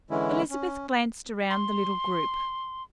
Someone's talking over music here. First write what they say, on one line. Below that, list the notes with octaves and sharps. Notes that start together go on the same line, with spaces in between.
Elizabeth glanced around the little group.
D3 E3 G#3 C#4 E4
C#4
C6